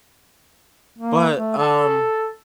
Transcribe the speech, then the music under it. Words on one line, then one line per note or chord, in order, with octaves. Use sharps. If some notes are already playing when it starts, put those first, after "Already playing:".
But, um
A#3
A3
A4